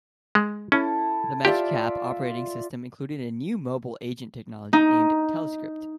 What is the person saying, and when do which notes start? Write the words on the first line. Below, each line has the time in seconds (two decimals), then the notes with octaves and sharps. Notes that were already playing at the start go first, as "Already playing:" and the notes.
The Magic Cap operating system included a new "mobile agent" technology named Telescript.
0.35 G#3
0.72 C#4 E4 A4
1.45 F4 G4 D5 E5
4.73 D#4